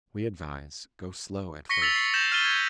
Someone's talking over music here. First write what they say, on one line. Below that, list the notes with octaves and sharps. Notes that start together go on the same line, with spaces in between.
We advise: Go slow at first.
C#6 A#6 B6 C#7 G7
E6 A6 B6 F7 F#7
C7
G6 A#6 C#7 E7 F#7
F6 A6 D#7 G7
G#6